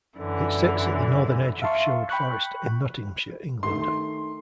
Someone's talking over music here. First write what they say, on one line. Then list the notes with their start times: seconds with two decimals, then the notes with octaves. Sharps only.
It sits at the northern edge of Sherwood Forest, in Nottinghamshire, England.
0.18 F#2 D3 E3
1.62 E5 F5 A5 C6 C#6
2.10 G5 B5 C#6 F#6
3.63 D#3 A3 C6